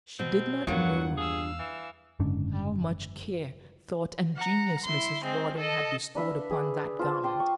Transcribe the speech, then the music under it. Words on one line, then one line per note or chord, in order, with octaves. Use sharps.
She did not know how much care, thought, and genius Mrs. Rawdon had bestowed upon that garment.
B2 C4
E2 G2 F#3 A#3 F4 F#5
G#4 F5 E6
E3
F#1 G#2 D3 C#4
F#5 A#5
E4 C6
G#3 C4
A4 D#5
D4 B4 E5 F5
G#4 D6
F4 C5 A5
G5 C6 D6 D#6
C#6